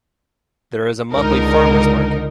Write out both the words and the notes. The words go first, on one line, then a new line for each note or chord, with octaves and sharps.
There is a monthly Farmers' Market.
C#2 D3 D#4 A#4